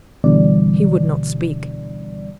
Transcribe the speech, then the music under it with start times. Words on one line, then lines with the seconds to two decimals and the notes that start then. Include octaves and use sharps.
He would not speak.
0.24 D2 B2 D3 E3 G3 D5